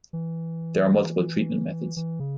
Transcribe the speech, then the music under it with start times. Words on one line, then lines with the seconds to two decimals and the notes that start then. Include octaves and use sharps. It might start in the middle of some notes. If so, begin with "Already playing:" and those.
There are multiple treatment methods.
0.13 E3
1.96 E3
2.20 C#3